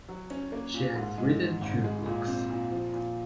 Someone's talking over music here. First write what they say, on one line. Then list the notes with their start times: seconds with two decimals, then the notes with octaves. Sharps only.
She has written two books.
0.08 F#3
0.30 C#4
0.52 A#3
0.74 A#2
0.96 G#2
1.18 G#3
1.40 D#3
1.61 G#1
1.84 G#3
2.06 A#2
2.28 C4
2.50 A#2
2.71 F3
2.93 A#2